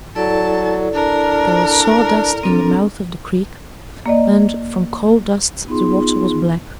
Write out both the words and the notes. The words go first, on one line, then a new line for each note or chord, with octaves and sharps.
There was sawdust in the mouth of the creek and, from coal-dust, the water was black.
F#3 E4 A4 D5 A5
D4 A#4
C4 D4 A4
A#3 D5 D#5
B3 D#4 F4 G#4 C6